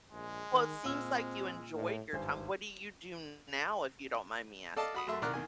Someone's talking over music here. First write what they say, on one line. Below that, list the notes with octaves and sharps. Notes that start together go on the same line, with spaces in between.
Well, it seems like you enjoyed your time, what do you do now, if you don't mind me asking?
A#1 G#3
D#3
A#2 C4 E6 F6
A2
G#1 G2 C5 G#5
A4 D5 D#5 F5 A5
F#4 B5 D#6
F#2 A3 E5 C6
C2 D#3 D5 A#5 F6 F#6
E2 D#3 G#5